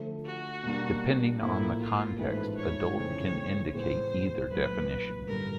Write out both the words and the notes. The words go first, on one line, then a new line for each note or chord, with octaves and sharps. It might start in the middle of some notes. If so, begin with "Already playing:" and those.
Depending on the context, "adult" can indicate either definition.
Already playing: D3 F3 A3
F#4
B2 G3 A#3 D4
A2 F3 A#3 E4
F4
A1 G#2 F3 A3 B4
C#5
F1 F2 C#3 E3 A3 C#5
A2 E3 G#3 B3 C5
B1 A#2 F#3 A3 B4
A1 G2 D3 G3 A#4